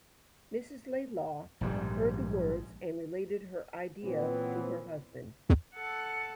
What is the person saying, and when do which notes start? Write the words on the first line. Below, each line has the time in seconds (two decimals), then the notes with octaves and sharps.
Mrs Laidlaw heard the words and related her idea to her husband.
1.61 A#1 G#2 D#3 G3
4.03 A#2 E3 F#3 B3 C4
5.75 A4 F#5